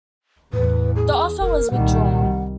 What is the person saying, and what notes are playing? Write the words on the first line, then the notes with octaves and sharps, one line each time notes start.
The offer was withdrawn.
E2 A2 B4
G#4
F#1 A#4
C2 A#2 D#3 G3 F#5